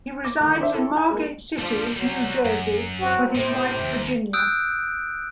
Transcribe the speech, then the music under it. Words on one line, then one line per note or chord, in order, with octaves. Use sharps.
He resides in Margate City, New Jersey with his wife, Virginia.
D6
D2 D#3
D4 C5 E5
E4 A4
G#5
G#3 A#3
F3 G3 A3 D4
F#3 G3 C5
F#2
E2 F#3 C4 F#4
A2 C3 C5
D#2 G#2
D#6 E6 F#6 G6 D7